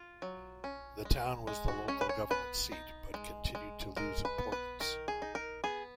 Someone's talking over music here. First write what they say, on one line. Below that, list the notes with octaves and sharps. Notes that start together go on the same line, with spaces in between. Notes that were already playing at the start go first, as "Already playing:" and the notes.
The town was the local government seat but continued to lose importance.
Already playing: F4
F#3
C#4
G#3
G#3
F#4
C#4 C#5
B4
C#5
B3 B4
D#4
G#3
G#3
G#3 A#4
B4
B3
B4
D#3 A#4
G#4
D#4
A#4
B3 G#4